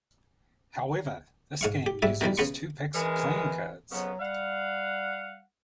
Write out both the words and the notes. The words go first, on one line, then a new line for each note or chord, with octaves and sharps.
However, this game uses two packs of playing cards.
G#2 F5 C#6
G4
G#2 G3 E5
B2 D#3 E3 G3
C#3 B3 C6 C#6
E3 G#3 C#4 A#4
F2 C#3 F#3 B3
G3 F5 F#5